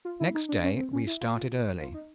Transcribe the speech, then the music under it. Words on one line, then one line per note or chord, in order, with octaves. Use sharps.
Next day we started early.
F4
E4
D#4
D4
C#4
C4
C#4
E4
F4
F4
D#4